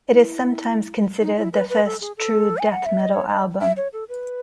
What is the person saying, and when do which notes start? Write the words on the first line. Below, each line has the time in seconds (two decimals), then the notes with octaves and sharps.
It is sometimes considered the first true death metal album.
0.10 E4
1.21 D#4
1.37 E4
1.53 B4
1.70 B4
1.85 A4
2.01 G#4
2.17 A4
2.58 G#5
2.72 F#5
2.85 E5
3.00 D#5
3.13 C#5
3.29 D#5
3.61 E5
3.77 C#5
3.93 A4
4.09 B4